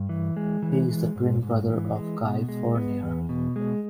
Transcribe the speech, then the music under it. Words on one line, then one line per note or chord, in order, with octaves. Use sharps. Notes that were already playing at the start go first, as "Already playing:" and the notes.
He is the twin brother of Guy Fournier.
Already playing: G2
E3
G#3
E3
G#3
G#2
G#2
E3
G#3
B2
G#3
B3
E2
B2
G#3